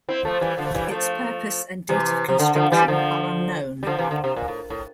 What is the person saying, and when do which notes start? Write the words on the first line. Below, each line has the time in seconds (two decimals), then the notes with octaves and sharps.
Its purpose and date of construction are unknown.
0.09 C4 E4
0.25 F3 A3
0.41 E3 G3
0.58 D3 F3
0.67 A3
0.74 E3 G3
0.87 G3
0.90 F3 A3
1.89 C3 E3
2.29 C3
2.39 D3
2.55 D3 F3
2.72 E3 G3
2.88 D3 F3
3.83 G3
3.87 D3 F3
3.98 C3 E3
4.11 D3
4.24 C3
4.36 A#2
4.48 A2
4.70 A2